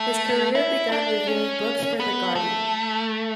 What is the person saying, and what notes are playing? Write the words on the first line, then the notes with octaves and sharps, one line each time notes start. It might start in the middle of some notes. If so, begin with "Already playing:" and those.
His career began reviewing books for "The Guardian".
Already playing: A3
E4
D4
C#4
B3
A3